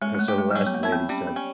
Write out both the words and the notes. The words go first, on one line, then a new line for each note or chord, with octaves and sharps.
And so the last lady said
G#3 C#4
G#3
A3
G4
G#3
G3
F#3 C#4
B3
A#3
C4 E4
B3
G3 C#4
B3
C#4